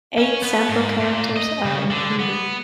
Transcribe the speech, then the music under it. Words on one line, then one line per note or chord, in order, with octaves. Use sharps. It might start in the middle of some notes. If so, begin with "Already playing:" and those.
Eight sample characters are included.
C#4
B3
G#2
A#2
D#5
C#3
D3
B3